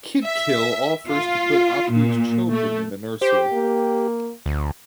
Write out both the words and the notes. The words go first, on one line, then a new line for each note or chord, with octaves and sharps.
Kidkill offers to put Apu's children in a nursery.
E5
F4
A#2
A3
G4 C5
A#3
D2